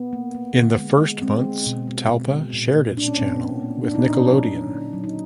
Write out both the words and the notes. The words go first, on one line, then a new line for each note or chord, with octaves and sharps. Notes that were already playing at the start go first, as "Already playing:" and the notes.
In the first months Talpa shared its channel with Nickelodeon.
Already playing: B3
A#3
A#3
D3
G#3
G#3
G#3 C4
G#3
B2
G#3
B2
G#3
A#2
A#3
A#2 D4
C#4
A#2 C4
B3
A#3
A#3
A#2 D4
D#4
A#2 D4
C#4
F#3
A#3
D3
F#3
D#4